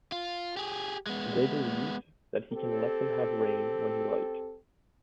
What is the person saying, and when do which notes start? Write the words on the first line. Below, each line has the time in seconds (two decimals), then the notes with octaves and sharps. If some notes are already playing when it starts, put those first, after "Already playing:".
They believe that he can let them have rain when he likes.
0.12 F4
0.57 G4 G#4
1.07 G#3 B3
2.53 C4 G4 A4